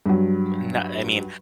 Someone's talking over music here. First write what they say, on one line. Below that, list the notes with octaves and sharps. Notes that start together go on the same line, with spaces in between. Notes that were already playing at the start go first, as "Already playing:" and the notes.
n I mean,
G2 F#3